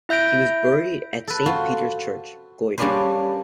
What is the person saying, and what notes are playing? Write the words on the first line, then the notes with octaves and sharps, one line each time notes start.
He was buried at Saint Peter's Church, Goytre.
E4 E5 G6 A#6 D7
A4 B4
F4 F#4 C5
G3 A#3 C#4 D4 B4 C5